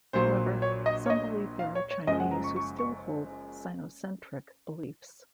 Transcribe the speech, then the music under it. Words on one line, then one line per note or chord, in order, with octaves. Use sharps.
However, some believe there are Chinese who still hold Sinocentric beliefs.
A#1 A#2 F#3 C5
C#5
D#5
C#5
D#5
F5
C#5
C#5
F#1 F#2 F3 G#3 D#5
F#5
A#5
C#6
C#6
C#6